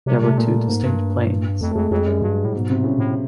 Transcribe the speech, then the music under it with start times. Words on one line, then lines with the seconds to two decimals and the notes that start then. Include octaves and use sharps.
There were two distinct planes.
0.06 C3 G3
0.22 C3 A3
0.38 A#2 A#3
0.68 G#2 A#3
0.83 G2
1.61 F2 A3
1.71 A3
1.75 F2 G#3
1.91 F2 G#3
2.07 F#2 G3
2.22 G2 F#3
2.45 A2
2.53 G#2 B2
2.70 C3
2.84 A2 C#3
2.98 A2